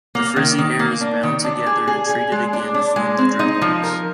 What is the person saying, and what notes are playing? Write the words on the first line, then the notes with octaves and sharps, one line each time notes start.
The frizzy hair is bound together and treated again to form the dreadlocks.
A#3
D#3
D#3
A#3
D4
D#3
D4
G#4
G#4
G#4
G#3
D4
D4
G#3
C4
D#4
F3
A#4